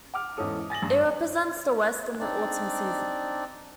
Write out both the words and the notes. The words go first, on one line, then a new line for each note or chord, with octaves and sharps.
It represents the west and the autumn season.
F#5 D6 F6
E2 G#2 E3 C#4 A4 D#6
G#5 A6 A#6 F#7
G2
C4 D4 D#4 D5